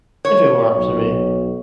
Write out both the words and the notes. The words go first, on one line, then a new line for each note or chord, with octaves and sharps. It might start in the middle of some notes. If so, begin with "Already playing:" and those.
If it were up to me.
C#5
B1